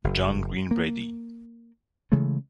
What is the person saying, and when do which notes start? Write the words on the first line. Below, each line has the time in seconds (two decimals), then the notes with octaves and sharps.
John Green Brady.
0.04 F#1
0.71 A#3
2.12 C#3 E3 G#3 A3